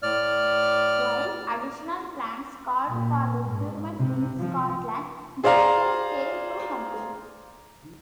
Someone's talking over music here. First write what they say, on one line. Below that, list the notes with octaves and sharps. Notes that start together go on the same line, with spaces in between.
While additional plans called for recruitment in Scotland, these too came to nothing.
A2 D5 F6
A#2
G#2
C3
F3
G#4 C5 D5 F5 A#5